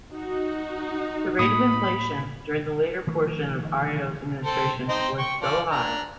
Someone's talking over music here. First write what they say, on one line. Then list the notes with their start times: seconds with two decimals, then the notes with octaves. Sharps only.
The rate of inflation during the later portion of Arroyo's administration was so high.
0.14 D#4 F#4
1.39 A2 A#3 B5 D#6
3.07 D#3 F3 A3
4.44 C4 A4
4.89 C4 D#4 D#5
5.18 G5 C#6
5.41 F3 D5
5.70 D4 A#5